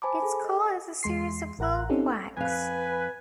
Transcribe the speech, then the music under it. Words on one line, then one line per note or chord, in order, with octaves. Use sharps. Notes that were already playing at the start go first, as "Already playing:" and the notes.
Its call is a series of low "quacks".
C5 G#5 A5 B5 D6
G#4 A4
D#5
E2 G#3 C6 C7
A1 A#4 F#5 A#5 F#6
C4 C#4 D#4 G4 A4
F2 B4 F5 G#5